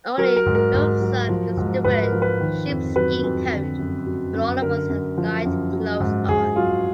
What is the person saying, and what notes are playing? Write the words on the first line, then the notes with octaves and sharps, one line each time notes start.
Only Luvsan used to wear sheepskin coat, when all of us had light clothes on.
F#3 A#4
A#4
G#2
A#4
G#2
F#3
F3
G#2
G#2 B4
A#4
F3
B4
D#3
F2
F#3 B4
F2
D3
F#2
F#3
F#2
D3 A#4
F#2
F3
F#2
F#3
G#2
G#2 G#4
F#3 F4